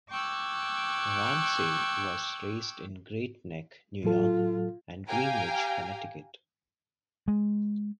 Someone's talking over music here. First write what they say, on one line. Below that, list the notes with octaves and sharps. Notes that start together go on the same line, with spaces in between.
Ramsey was raised in Great Neck, New York and Greenwich, Connecticut.
G5 C#6 D6 E6 F#6 G#6
A2 F#3 F4 A4
G4 F5 G5 G#5 A#5
G#3